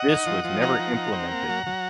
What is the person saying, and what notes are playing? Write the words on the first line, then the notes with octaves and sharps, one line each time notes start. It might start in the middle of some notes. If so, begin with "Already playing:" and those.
This was never implemented.
Already playing: D#5 F#5
D#4
F3
F3
D#4 F#5 A#5
F3
D#4
C4
A#3
F#3
F#3